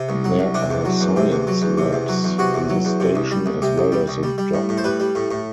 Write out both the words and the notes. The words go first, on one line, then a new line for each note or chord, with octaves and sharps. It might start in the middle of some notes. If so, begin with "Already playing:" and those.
There are science labs in the station, as well as a dock.
Already playing: C3
C2
F#3
C2
C3 D4
E2
F#3
E2
C3
E2
F#3
E2
C3
E2
F#3
E2
C3 F#4
E2
F#3
E2
C3
C2
G3
C2
C3 G4
C2
G3
C2
G3
G3
A2
A2
C5
G3 B4
G3
A2
A2